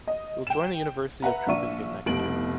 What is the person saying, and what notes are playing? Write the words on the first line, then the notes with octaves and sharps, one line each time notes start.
He will join the university of Tübingen next year.
D#5
G5 E7
B4 E5 F#5 A#5
A#1 D4 E5 C#6 D#7
F1 C2 B2 D7 F#7